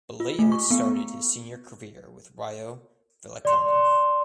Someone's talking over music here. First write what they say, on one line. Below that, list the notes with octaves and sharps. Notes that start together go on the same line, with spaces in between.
Balea started his senior career with Rayo Vallecano.
F4
A3
C#6
B3
D5 C6